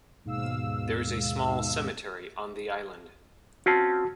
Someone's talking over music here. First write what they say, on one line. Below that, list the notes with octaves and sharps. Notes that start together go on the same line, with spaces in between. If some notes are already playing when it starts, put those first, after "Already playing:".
There is a small cemetery on the island.
D#2 G#2 B2 F5 E6
C4 C#4 F4 F#4 A5